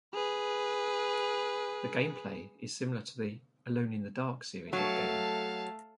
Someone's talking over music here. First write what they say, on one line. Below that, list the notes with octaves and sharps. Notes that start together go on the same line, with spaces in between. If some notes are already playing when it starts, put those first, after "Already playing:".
The gameplay is similar to the "Alone in the Dark" series of games.
G#4 B4
F#3 A3 F5 A5